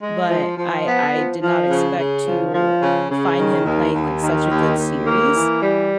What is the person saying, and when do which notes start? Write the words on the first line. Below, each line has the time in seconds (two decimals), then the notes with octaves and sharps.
but I I did not expect to find him playing, like, such a good series,
0.01 G#3
0.29 F3
0.58 F3
0.86 B3
1.13 F3
1.42 F3
1.69 C#3
1.98 C#3
2.26 F3
2.54 F3
2.82 C#3
3.10 C#3
3.38 D#3
3.66 D#2
3.94 D#2
4.23 D#3
4.50 D#2
4.78 D#2
5.06 A#3
5.35 E3
5.62 G3